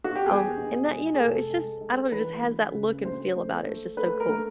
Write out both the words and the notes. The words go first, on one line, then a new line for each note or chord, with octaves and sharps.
Um, and that, you know, it's just I don't know, it just has that look and feel about it, it's just so cool.
F#4
G4
E2 G#4
B2
G#3
G#4
F1 A4
G#3
G#3
E3 B4
D2
C#3
D2 C5
A3
A3
A3 B4
A#4
A3